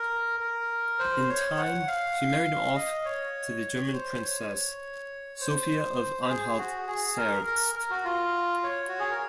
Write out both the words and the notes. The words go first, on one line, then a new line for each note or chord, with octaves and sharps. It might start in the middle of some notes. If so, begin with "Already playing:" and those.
In time, she married him off to the German princess, Sophia of Anhalt-Zerbst.
Already playing: A#4
A#4
C5
C#5
F#5
F5
D#5
C#5
C5
C#5
C5
G#4
F#4
G#4
A#4
A#4
A#4
F#4
F4
C#5
F#4
G#4
A#4